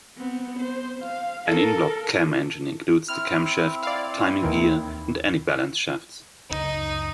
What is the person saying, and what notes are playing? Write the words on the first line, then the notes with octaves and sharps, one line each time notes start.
An in-block cam engine includes the camshaft, timing gear, and any balance shafts.
B3 C4
C5
F5
A4 A#4
C4 E4 F6
D5 F5
D#2 D#3 E3
C#2 F#2 D#4